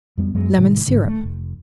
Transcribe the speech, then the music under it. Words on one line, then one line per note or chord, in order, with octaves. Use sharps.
Lemon Syrup.
F2 G3 B3
F#2 F#3 G#3 B3
A2 C3 D#3 G#3
A1 G#2 D3
A3
F1